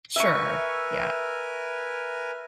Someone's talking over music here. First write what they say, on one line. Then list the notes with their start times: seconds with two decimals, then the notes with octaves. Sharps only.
Sure. Yeah.
0.16 A#4 B4 E5 G#5 C#6